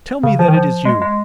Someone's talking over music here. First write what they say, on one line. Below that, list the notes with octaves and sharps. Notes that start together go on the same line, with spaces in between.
Tell me that it is you!
C#3
F3
D#3
F3
G#3
G#3